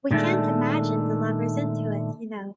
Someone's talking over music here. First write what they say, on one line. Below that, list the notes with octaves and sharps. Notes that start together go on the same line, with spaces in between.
We can’t imagine the lovers into it, you know.
A#2 D#3 G#3 A3 D4